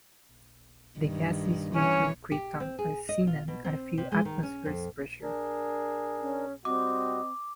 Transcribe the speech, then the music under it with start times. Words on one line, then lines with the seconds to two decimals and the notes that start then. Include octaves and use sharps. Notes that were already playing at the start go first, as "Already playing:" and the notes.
The gas is usually krypton or xenon at a few atmospheres pressure.
0.99 G2 D#3
1.75 E3 C#4 C#5
2.32 G4
2.60 C4
2.79 G#4
3.09 D#5
3.27 F4
3.48 B2
3.64 C4
3.98 C3
4.12 G#3
4.25 D#3
4.43 C#4
4.66 F2
5.23 D4 G#4 A#4
6.21 C#4
6.65 G3 C4 F#4 D#5 D6